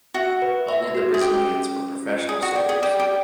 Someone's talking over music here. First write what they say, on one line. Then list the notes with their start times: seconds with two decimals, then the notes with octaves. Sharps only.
Only the Brazilians were professional soldiers.
0.14 F#4 E5
0.42 B4
0.69 E5
0.95 F#4
1.14 G#4
1.21 C#4 G4
1.49 C#4
1.75 C#4
2.02 F4
2.29 G#4 D5
2.42 F#4
2.55 G4 D5
2.69 G#4
2.83 G4 D5
2.99 G4